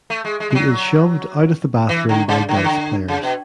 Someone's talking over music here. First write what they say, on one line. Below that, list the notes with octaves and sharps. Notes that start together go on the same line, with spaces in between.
He is shoved out of the bathroom by dice players.
A3
G#3
G#3
G#3
F#3
E3
D3
C#3
D3
E3
D3
C#3
B2